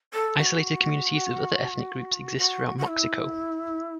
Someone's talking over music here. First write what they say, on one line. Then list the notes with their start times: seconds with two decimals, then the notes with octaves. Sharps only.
Isolated communities of other ethnic groups exist throughout Moxico.
0.13 A4
0.38 F#4
2.37 F#4
2.78 F#4
2.87 E4